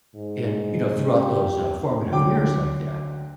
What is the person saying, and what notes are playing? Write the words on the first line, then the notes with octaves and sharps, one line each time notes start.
and, you know, throughout those, uh, formative years like that,
G#2
G4
D2 D3 F#3 G5 D6